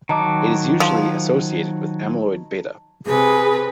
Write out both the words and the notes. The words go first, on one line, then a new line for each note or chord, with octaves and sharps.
It is usually associated with amyloid beta.
D#3 F#3 D#5 A5 A#5 D6
F3
C3 G#4 B4